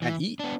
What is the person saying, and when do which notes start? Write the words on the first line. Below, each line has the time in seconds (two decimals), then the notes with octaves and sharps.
and eat,
0.02 E3
0.40 B3 D4